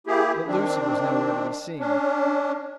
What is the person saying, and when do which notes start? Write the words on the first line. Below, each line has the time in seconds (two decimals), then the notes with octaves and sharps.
But Lucy was nowhere to be seen.
0.07 A#3 E4 G4 G#4
0.47 D#3 C4 D4
1.79 C#4 D4